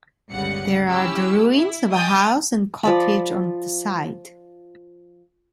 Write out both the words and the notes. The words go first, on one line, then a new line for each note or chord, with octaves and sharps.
There are the ruins of a house and cottage on the site.
G1 C#2 C#3 G3 F#5 C#7
C#4 E4 G4 E6
E4
D#5 G5 G#5 D#6 G6 A6
F3 D5 B5